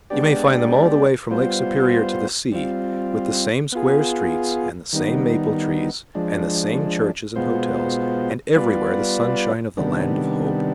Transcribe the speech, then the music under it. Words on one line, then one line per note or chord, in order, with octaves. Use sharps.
You may find them all the way from Lake Superior to the sea, with the same square streets and the same maple trees and the same churches and hotels, and everywhere the sunshine of the land of hope.
G#3 B3 D4 G4 D5
G3 B3 F4 C5
G3 C4 F4
B3 F4 G#4
D#3 G3 B3 D#4
F3 G#3 D4
B2 G#3 B3 F4 C5
G3 B3 F4 B4 D5
C3 D#3 G3 B3 D4